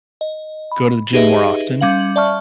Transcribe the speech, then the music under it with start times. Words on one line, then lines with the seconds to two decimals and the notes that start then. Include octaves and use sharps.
go to the gym more often,
0.21 D#5
0.72 B5
1.13 D#4 G4 G#4 B4 D#5 E5
1.81 G3 C#4 F5 F#7
2.16 D5 E5 A5 C#6 F6